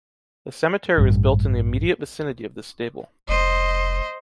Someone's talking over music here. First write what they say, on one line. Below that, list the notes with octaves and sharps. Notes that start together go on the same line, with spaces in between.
The cemetery was built in the immediate vicinity of this stable.
A1 G2
F1 C5 D#5